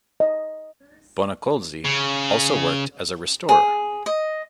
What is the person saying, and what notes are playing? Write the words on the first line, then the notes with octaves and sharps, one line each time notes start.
Bonacolsi also worked as a restorer.
D#5
C#3
G#4
D#5